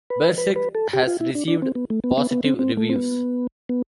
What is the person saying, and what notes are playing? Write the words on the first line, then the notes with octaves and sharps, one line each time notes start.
Bersirc has received positive reviews.
B4
B4
B4
A4
G4
F4
E4
D4
D4
C4
B3
A3
B3
B3
B3
C4
C4
A3
C4
B3
B3